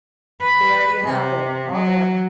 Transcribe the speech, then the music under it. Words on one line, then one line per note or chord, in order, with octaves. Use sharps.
There you have it. Oh, boy.
B4
C3
F#3